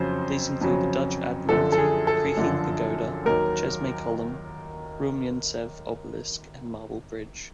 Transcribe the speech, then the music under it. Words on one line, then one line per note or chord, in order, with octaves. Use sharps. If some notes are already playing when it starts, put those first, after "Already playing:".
These include the Dutch Admiralty, Creaking Pagoda, Chesme Column, Rumyantsev Obelisk, and Marble Bridge.
Already playing: F2 C#3 F#3 C5
F2 C#3 F#3
F#2 D3 F3 A4
A4
G#4
A4
F#2 D3 F3
D#2 D#3 F#3 A#4